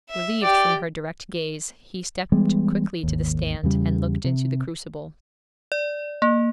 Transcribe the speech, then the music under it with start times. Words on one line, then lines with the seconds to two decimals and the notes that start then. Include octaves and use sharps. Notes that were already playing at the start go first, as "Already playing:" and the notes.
Relieved from her direct gaze, he stepped quickly to the stand, and looked into the crucible.
0.10 E5
0.43 G4 D5 G5
2.32 E3 G3 G#3 B3
3.03 G#1 D#2
3.63 E2 C#3 G3
4.24 C3
5.72 D5
6.22 A#3